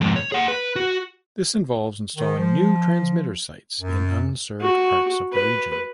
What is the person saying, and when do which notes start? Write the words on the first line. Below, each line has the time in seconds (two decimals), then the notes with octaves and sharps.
This involves installing new transmitter sites in unserved parts of the region.
0.01 F2 G#2
0.16 C#5
0.32 G#4 F#5
0.48 B4
0.76 F#4
2.16 D#3
2.37 F3
3.80 F#2
4.61 F#4
5.32 B4